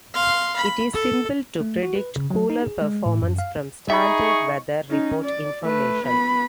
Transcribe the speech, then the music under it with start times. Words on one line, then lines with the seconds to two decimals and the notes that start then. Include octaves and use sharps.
It is simple to predict cooler performance from standard weather report information.
0.14 F5 C6
0.56 B5
0.93 A4
1.60 A3
1.83 F#4
1.95 B4
2.16 C#3
2.30 F#3
2.50 D#4
2.63 G#4
2.82 G#3
3.06 A2
3.22 F#2
3.39 F5
3.90 D#4 G#4 E5 B5 C#6
4.89 C#4 D#4
5.25 D5
5.63 A3 B4
6.04 B3 B5